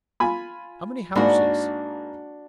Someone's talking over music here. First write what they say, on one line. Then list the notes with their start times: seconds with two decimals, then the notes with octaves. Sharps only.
How many houses?
0.20 F4 G#5 B5
1.15 G#2 A#3 D4 F#4 B5